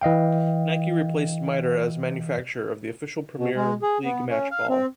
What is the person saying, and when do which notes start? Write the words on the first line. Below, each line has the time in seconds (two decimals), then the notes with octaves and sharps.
Nike replaced Mitre as manufacturer of the official Premier League match ball.
0.01 E3 D#5 F5 G5
3.37 B2
3.56 G#3
3.82 G#4
4.04 B3
4.29 C#4
4.51 F5
4.69 C4